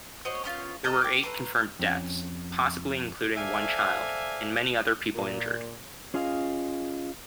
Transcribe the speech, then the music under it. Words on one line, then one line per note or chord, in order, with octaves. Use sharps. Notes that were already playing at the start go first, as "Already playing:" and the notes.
There were eight confirmed deaths, possibly including one child, and many other people injured.
F#4 C5 C#5 D#5
B3 C#4 F4
A4 D#5 A#5
G5 D6
A3 B4 A#5 C6
F2 C#4
A4 C5 D5 E5 F5 G#5
A#2
C#4 F4 G#4 D#5 F5